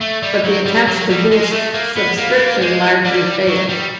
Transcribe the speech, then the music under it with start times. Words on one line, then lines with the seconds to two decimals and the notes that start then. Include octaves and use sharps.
But the attempts to boost subscription largely failed.
0.01 A3
0.23 G3
0.44 F#3
0.66 G3
0.88 F#3
1.10 G3
1.31 G#3
1.44 G#3
1.52 A3
1.74 A#3
1.96 B3
2.17 A#3
2.30 B3
2.39 A#3
2.61 G#3
3.05 G3
3.48 F#3
3.70 G3